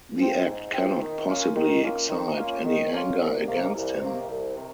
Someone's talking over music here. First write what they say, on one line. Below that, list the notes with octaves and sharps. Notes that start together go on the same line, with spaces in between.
The act cannot possibly excite any anger against him.
F3 C4
G#2
C4
F3
D#3
A#3 C#4 F4
D#3
A#3 C#4 F4
D#3
A#3 C#4 F4
D#3
A#3 C#4 F4
C2
C3 D#3 A#3
C2
C3 D#3 A#3
C2
C3 D#3